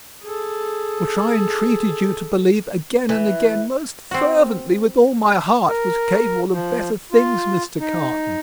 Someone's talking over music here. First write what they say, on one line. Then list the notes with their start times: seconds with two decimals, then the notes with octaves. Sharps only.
"Which I entreated you to believe, again and again, most fervently, with all my heart, was capable of better things, Mr. Carton!"
0.23 G#4 A4
3.09 E3
4.11 C4 F#4
5.69 A#4
6.53 F3
7.12 F4
7.80 D#4